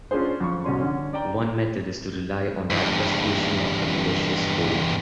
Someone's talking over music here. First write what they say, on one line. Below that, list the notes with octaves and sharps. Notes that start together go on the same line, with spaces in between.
One method is to rely on the obfuscation of the malicious code.
C#4 D4 F4 G#4 C5
F2 C#6
C2 B2 C#4 C6
D3 C#4
D5 G5 A#5
E2 G2